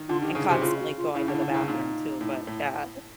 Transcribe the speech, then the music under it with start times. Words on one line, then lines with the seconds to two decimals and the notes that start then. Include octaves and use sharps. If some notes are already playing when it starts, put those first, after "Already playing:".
and constantly going to the bathroom too, but yeah.
Already playing: D#3
0.08 D3 F4
0.22 D#3 G4
0.35 C#3 G#4
0.49 C3 F#4
0.61 C#3 F4
0.79 F#4
0.97 F4
1.14 C#3 E4
1.28 D3 E4
1.42 D3
1.50 C#3 E4
1.68 A#2 D#4
2.21 A2
2.47 A2